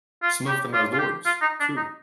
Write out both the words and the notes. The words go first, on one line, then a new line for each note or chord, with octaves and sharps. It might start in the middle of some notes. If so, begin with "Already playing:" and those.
Some of them are lords, too.
F4
G4
F4
F4
G4
F4
D#4
D4
D#4